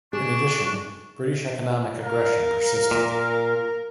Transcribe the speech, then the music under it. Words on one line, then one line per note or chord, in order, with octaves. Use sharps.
In addition, British economic aggression persisted.
D4 G#4 C#6
A#4 F5
A#2